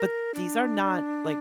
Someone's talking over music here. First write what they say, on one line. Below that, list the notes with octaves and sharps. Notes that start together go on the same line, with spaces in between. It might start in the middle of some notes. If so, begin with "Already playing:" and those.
but these are not, like"
Already playing: A#4
D4